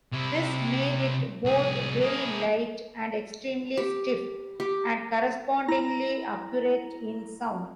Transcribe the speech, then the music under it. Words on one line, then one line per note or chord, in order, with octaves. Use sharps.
This made it both very light and extremely stiff, and correspondingly accurate in sound.
C3 E4
C2 G#4
A#3 G#4
G4
G4
E4 A#5 A#6